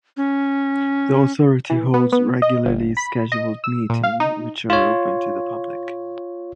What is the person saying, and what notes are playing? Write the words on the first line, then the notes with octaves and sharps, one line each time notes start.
The Authority holds regularly scheduled meeting which are open to the public.
C#4
E3
B3
B3
D#5
G1
B5
D#5
E6
A#2
F5
D#4
F4 C#5